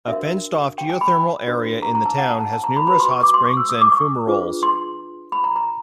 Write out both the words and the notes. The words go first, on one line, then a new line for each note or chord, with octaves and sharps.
A fenced-off geothermal area in the town has numerous hot springs and fumaroles.
D4 F#4 A#4 E5
G5
G#5
B5
D4 F#4 B4
A#5
A#5
A5
F#5
A5
A5
A5
A#5
B5
F#4 B4 B5
C6
C#6
D6
C6
C#6
E6
D#6
D6
C#6
D4 F4 G#4 B4
C6
B5
A#5
A#5